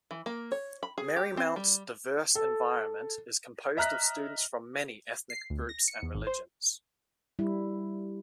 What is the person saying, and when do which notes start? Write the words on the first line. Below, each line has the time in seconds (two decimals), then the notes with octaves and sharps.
Marymount's diverse environment is composed of students from many ethnic groups and religions.
0.11 E3
0.26 A#3
0.52 C#5
0.83 B5
0.98 G#4
1.16 G4
1.37 C4
1.56 G3
2.35 A4
3.77 D#5 E5 A#5 F6 F#6 B6
5.30 C7
5.50 D2
5.69 A#6
5.88 C#7
6.03 E2
6.15 G#1
6.27 C5
7.39 G3 E4